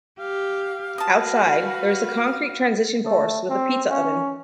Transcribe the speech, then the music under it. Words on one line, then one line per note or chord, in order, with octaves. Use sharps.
Outside, there is a concrete transition course with a pizza oven.
G4 F5
F#4 B4 A5 D#6
A3
C4
C#4